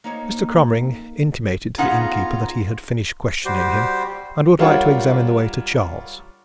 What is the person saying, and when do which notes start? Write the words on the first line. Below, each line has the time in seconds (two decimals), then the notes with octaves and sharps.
Mr. Cromering intimated to the innkeeper that he had finished questioning him, and would like to examine the waiter, Charles.
0.04 A#3 D#4 C#5
1.78 C#3 B3 C#4 D#4 F4 F#5 A#5
3.45 G3 F#4 G4 C5
4.59 G3 D4 F4 A#4 C#5 F#5